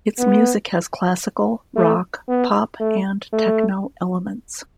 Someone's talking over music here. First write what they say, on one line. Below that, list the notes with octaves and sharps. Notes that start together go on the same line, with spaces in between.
Its music has classical, rock, pop, and techno elements.
B3
A3
B3
A3
A3